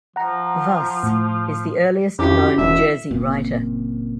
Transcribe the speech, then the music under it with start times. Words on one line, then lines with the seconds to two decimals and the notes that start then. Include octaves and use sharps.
Wace is the earliest known Jersey writer.
0.16 F3 F#5 A#5
1.03 A2
2.19 F2 C#4 E4 F#4 G4
2.58 E1 E5
3.11 F#1 A#2 C4